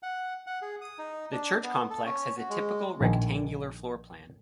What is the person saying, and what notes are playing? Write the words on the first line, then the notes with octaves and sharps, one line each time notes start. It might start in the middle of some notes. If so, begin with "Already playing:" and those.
The church complex has a typical rectangular floor plan.
F#5
F#5
G#4
D#6
D#4
D4
B3
A4
C#4
F#4
G#3
A#1 D#3 G#5